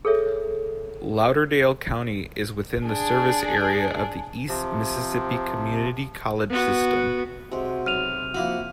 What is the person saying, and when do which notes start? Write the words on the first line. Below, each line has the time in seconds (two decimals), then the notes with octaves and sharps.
Lauderdale County is within the service area of the East Mississippi Community College system.
0.05 G#4 A4 C#5 E5
2.86 D4 G#4
4.48 C3 F3
6.50 B3 F#4
7.51 C3 G#3 F#4
7.86 B1 F6 D#7 F7
8.34 F3 A#3 E4 F#4 F#5